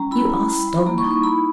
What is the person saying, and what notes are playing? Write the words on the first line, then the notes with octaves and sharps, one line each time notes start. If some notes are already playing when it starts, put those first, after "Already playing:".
You are stunned.
Already playing: G3 C#4 A#5
E4 B5
E4
G3
G3
A#3 A#5
C#6
D#4
C#6
E4 B5